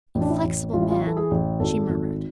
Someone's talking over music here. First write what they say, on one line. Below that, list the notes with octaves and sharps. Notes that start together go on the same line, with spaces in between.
"Inflexible man!" she murmured.
A1
D4
E4
A1
A1 F4
E4
F4
E3
A4
G#4
A1
G#1 A4
G#1